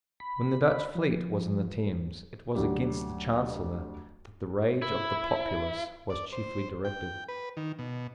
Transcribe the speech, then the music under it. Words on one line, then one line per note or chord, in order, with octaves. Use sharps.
When the Dutch fleet was in the Thames, it was against the Chancellor that the rage of the populace was chiefly directed.
B5
F3
D2 F#3 D4 G4
E4
D5
C5
G5
B4
D#3
B2